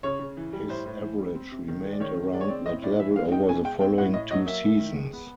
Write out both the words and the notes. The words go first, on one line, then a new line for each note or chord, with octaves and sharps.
His average remained around that level over the following two seasons.
C#3 C#5
C#3
E3
G3
A2 C5
A2
E3
G3
C4
C3
D#3
G#3
D5
D#3 C#5
D#3
G#3 D5
C#5
C4 D5
A2 D#5
A2 D5
E3 E5
G#3 F5
D#4 G5
B2 G#5
G#3 G5
C4 G5
A2 F#5
A2 D#5
F#3 D#5
A#3 E5
E4
D#3
G#3
B3